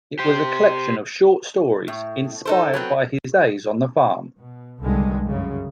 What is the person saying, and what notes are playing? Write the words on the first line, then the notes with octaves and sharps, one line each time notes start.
It was a collection of short stories inspired by his days on the farm.
G4 C5
A2
D#4 A4 C5
F#3 B3 C4
B2
C2 G2 D3 D#3 G3 G#3
F#2 C#3